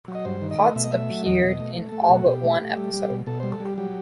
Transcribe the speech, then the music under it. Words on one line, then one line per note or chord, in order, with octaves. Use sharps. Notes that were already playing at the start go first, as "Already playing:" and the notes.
Potts appeared in all but one episode.
F#3
D#5
G2 C5
D#3
D#5
A3
B2 E5
D#5
A3 E5
F#3
E2 D#5
B2
A3
A3
A3 A4
G4
B2 F#4
B2 G4
A3
A3
G3
G3
B2
B2 A4
G3 C5
A4
G3
G4
F#3 G4